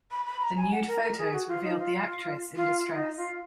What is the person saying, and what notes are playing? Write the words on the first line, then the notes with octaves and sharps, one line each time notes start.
The nude photos revealed the actress in distress.
B5
B5
A#5
G#5
F#5
A#4
A#4
G#4
F#4
F4
D#4
F4
F4
F4
D#4
F4